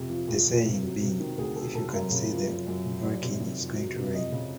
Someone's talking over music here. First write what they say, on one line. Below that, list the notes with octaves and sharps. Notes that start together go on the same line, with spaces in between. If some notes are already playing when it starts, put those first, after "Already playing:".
The saying being, If you can see the Wrekin, it's going to rain.
Already playing: F2 C3 G4
F3
F2
F2
C3
F#3
C3
D#3
D2 G#4
F#3 A4
C3 A4
F#2 A#4
C#3
F3
F#2
F#2
C#3
F#3 D5
C3
D#3
F2
F#3
C3
F2 D#5
C#3